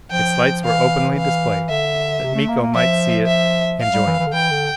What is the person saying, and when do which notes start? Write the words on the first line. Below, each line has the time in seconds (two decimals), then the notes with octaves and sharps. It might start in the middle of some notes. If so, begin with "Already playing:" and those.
Its lights were openly displayed, that Miko might see it and join it.
0.11 F3 G5
0.65 E3 F5
1.17 F5
1.70 D3 E5
2.22 C3
2.35 A3
2.49 A#3
2.62 A#3
2.75 F3 E5
3.27 E5
3.81 F5
3.93 G3
4.07 E3
4.20 E3
4.27 D3
4.33 E3 G5
4.50 D3